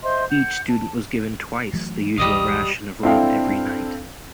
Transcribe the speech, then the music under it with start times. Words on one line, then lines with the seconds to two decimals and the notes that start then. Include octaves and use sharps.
Each student was given twice the usual ration of rum every night.
0.02 C5 D#5 E5 C6
0.29 F#5 G6
0.67 A5
1.73 E3 F#3 A3
2.18 A#1 E2 G3 D#5 F5 D#6
3.03 C4 D4 E4 A4 F5 G5